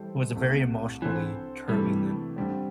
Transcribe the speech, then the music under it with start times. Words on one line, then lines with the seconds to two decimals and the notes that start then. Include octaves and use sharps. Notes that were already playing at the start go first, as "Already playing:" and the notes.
it was a very emotionally turbulent,
Already playing: E3 G3 E4 A4 C5
0.35 C2 C3 A3
1.02 D3 E3 C4 A4 C5
1.69 C3 E3 G3 A3 D4 A4
2.36 G2 D3 G3 C4